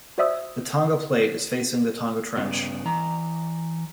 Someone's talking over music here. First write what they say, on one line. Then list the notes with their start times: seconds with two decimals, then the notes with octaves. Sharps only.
The Tonga Plate is facing the Tonga Trench.
0.18 F#4 C5 D5 E5 D#6 E6
2.37 G2 C#3 B3
2.86 E3 A#5